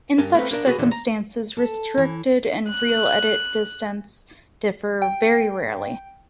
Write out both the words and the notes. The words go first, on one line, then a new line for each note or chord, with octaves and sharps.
In such circumstances, restricted and real edit distance differ very rarely.
G2 A#4 G#5 A5
A3 A#3 C4 B4
A#3 D4 A#4
A#3 F#4 G#4 B4
E2 A#2 D3
A#5
A4
E3
F#6
G5